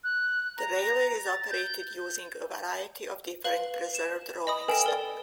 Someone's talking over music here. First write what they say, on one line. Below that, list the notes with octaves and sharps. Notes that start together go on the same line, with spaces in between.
The railway is operated using a variety of different preserved rolling stock.
F#6
A#5
A6
G6
B4 F5 F#7
E7
D#5 B5 D#6
A4 B4 G5 G#5 E7
A#4 D5